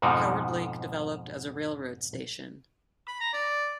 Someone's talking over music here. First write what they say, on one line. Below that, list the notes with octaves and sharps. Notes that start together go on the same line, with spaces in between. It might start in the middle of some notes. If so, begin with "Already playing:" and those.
Howard Lake developed as a railroad station.
F2 G#2 B2 D3 F3 D#4
B5
A#5
D5